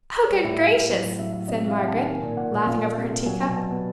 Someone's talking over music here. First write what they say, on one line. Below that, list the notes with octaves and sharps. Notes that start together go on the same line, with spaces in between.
"Oh, good gracious!" said Margaret, laughing over her teacup.
C#5
G3 C5
A2 E5
G3 F5
A2
F#3
A2
F#3 E5
A2 E5
C3 D#5
E5
C3 F5
C3 F#5
D#3 A5
G#5
A#3
A#2
A#2 F#5
A#2
F3 F5
A3
C3
C3
F#3 G#5
B2 A5
B2 A5
B3